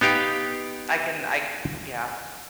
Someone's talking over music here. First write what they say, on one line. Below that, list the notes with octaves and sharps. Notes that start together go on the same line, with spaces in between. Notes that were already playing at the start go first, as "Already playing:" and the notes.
I can I can Yeah.
B3 D#4 G4 F5 G5